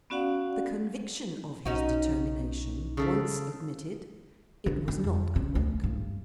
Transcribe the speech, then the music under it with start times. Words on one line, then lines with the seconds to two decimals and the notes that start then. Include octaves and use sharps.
The conviction of his determination once admitted, it was not unwelcome.
0.10 B3 C#4 F#4 D5 F5 F#5
1.65 B1 C#4 D#4 F#4
2.97 C#3 A4 E5
4.66 D3
4.88 D3
5.04 F2
5.36 C#3
5.55 D2
5.84 G2